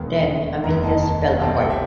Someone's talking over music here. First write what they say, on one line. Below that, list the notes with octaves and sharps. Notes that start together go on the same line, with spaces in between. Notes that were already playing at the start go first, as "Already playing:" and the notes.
Then Amilias fell apart.
Already playing: E1 D#2 D#3 G#3 B3
F1 D#2 D#3 G#3 A#5
A5
A5
A5
C2 B2 G3 C4 A5
F#5
G5
E5